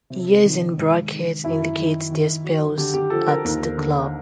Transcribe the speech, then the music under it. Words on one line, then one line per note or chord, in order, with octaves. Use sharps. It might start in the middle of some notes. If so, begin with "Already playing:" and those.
Years in brackets indicate their spells at the club.
C3
D#3
G#2
D#3
F#2 E4
D#3
D#3
F#3
D3 G4
G4
F3 A4
A#4
D#2
D3